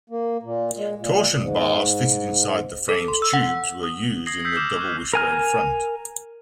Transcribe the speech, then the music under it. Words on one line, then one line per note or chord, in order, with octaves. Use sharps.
Torsion bars fitted inside the frame's tubes were used in the double wishbone front.
A#3
A#2
G#3
A#2
G#2
A4
C6
E6
F#5
D#6
D#6 G#6 A#6 C7 F#7
D#6 E6 G6 B6 C7
D6 F6 E7
C#6 D#6 F6 F#6
A#4 G#5 F6